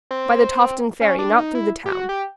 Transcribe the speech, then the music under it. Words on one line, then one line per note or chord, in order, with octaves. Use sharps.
"By the Tofton Ferry, not through the town."
C4
C#4
D4
D#4
E4
G4
F#4
G4